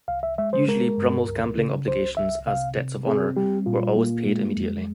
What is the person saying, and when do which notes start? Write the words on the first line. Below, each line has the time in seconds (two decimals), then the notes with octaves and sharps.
Usually Brummell's gambling obligations, as "debts of honour", were always paid immediately.
0.08 C2 F5
0.23 E5
0.38 G#3 E5
0.53 C5
0.68 G#3 A#4
0.98 G2
1.28 C#2
1.57 C#3
1.87 C2 C5
2.17 C2 E5
2.47 C3 F5
2.76 C3
3.07 C4 G#4
3.36 G3 G4
3.66 A#2 F4
3.96 A#3
4.26 G#3
4.57 F2